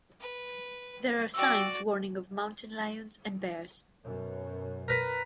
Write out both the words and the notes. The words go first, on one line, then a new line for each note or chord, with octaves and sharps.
There are signs warning of mountain lions and bears.
B4
F#4 D5 G5 E6
F#2 B2
A#4 B4